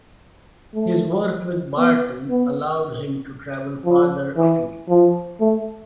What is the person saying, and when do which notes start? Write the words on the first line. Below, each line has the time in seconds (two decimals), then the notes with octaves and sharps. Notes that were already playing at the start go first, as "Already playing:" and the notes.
His work with Barton allowed him to travel farther afield.
0.74 A3
1.78 B3
2.30 B3
3.85 F3
4.37 E3
4.89 F3
5.41 A3